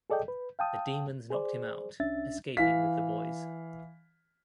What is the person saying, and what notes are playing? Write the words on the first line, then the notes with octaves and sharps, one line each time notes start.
The demons knocked him out, escaping with the boys.
G#4 A4 D5 D#5 G5
B4
F5 G5 A5 D#6
G#4 C5 D5
C2 C#4 D4 E5 A6
E3 F5 B6